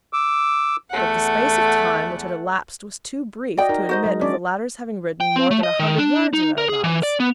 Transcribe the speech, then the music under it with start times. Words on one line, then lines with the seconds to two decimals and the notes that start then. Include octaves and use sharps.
But the space of time which had elapsed was too brief to admit of the latter's having ridden more than a hundred yards or thereabouts.
0.13 D6 E6
0.90 E2 A3 F#5
3.57 F#4 D5 D#5 G5
3.69 D#4 A#4
3.89 F#4 C5 D#5
4.04 F#3 G#3
4.21 C#4 D4 D5
5.21 G5
5.36 C4
5.51 A3
5.63 D#5
5.79 D#3
5.98 D4
6.33 D#4
6.58 A#4
6.69 G#4
6.84 E3
7.03 D5
7.20 B3